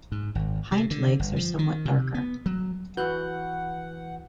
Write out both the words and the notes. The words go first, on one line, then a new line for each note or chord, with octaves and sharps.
Hind legs are somewhat darker.
G#2
G#1
C3
D3
G1
F3
D#3
C3
B3
F#3
E3 F#4 B4 F#5 F#6 G6